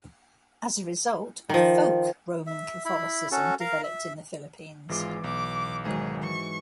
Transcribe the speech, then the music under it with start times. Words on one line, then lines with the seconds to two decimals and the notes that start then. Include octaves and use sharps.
As a result, a folk Roman Catholicism developed in the Philippines.
1.49 D#3 F3
2.47 E5
2.85 E4 B5
3.31 C#4 F#4 A4
3.60 A#4 F5 A#5
3.84 E5
4.89 G#1 E3 G#3 F4 D6
5.24 B1 D6
5.85 G#2 D#3 F#3 G#4
6.22 E3 C#6